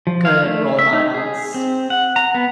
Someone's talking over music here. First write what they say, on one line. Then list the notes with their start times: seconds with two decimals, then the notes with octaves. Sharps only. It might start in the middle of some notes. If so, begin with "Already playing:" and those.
good role models.
0.07 F3
0.25 F5
0.46 A3
0.79 E5
0.93 D#4
1.14 G#4
1.54 C4
1.90 F#5
2.16 A#5
2.34 B3